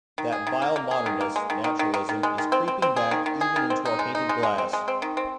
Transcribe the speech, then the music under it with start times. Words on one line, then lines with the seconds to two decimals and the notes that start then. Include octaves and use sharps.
That vile modernist, naturalism, is creeping back even into our painted glass.
0.18 D#3
0.32 G#4
0.47 D#3
0.62 A#3
0.76 A#3
0.91 G#4
1.06 D#3
1.21 A#3
1.36 G#3
1.50 D#3
1.64 D#3
1.79 D#3
1.94 D#3
2.09 D#3
2.23 G#3
2.38 D#3
2.52 C4
2.68 C4
2.82 C4
2.96 G#4
3.11 D#3
3.26 D#3
3.41 G#4
3.56 D#3
3.70 C4
3.85 D#4
3.99 G#3
4.15 D#4
4.29 G#3
4.43 G#3
4.58 C4
4.73 G#3
4.88 C4
5.02 D#3
5.17 C4